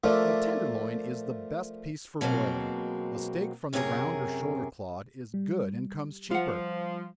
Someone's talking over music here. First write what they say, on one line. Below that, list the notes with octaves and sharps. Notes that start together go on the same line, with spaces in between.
The tender loin is the best piece for broiling--a steak from the round or shoulder clod is good and comes cheaper.
F3 A3 F4 A#4 D5 E5
B2 F#3 G#3 A#3 C4
F#2 C3 C#4 D4 G#4 A#4
G3
F3 F4 F#5